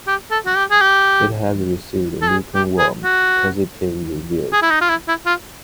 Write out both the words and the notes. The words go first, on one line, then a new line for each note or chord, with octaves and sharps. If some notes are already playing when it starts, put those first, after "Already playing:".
It has received lukewarm to positive reviews.
G4
A4
F#4
G4
G#4
G4
A4
G#4
G4
G#4
F#4
G#4
E4
D#4
F4
E4
E4
F4